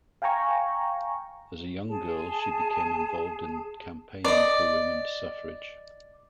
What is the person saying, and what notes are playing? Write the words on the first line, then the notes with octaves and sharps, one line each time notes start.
As a young girl, she became involved in campaigning for women's suffrage.
F5 G5 G#5 A#5 C#6
G#4 A5
D5 D#5